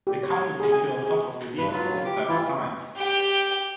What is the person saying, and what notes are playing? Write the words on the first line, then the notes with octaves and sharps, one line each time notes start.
The couple secured top of the leaderboard seven times.
G4
C#5
G#4
G#5
G#4
G2 B4
F#3 F4
G4 D6
E3 E4 F4
G4 G5